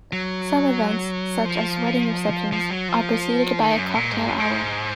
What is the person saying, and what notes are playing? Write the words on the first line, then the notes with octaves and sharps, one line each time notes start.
Some events, such as wedding receptions, are preceded by a cocktail hour.
F#3
F3
F3
F#3
F3
D#3
F#2
A#2
G#2
F#2
G#2